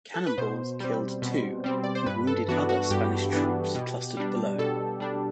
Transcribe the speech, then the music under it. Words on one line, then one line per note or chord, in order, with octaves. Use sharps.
Cannonballs killed two and wounded other Spanish troops clustered below.
A4
B4
B2 C5
G3 C4
B2
G3 C4
D5
C5
G2 B4
A4
E3 B3 D4 F#4
F#4
G2 G4
E3 B3 D4
B2
G3 D4
B2 A4
G3 D4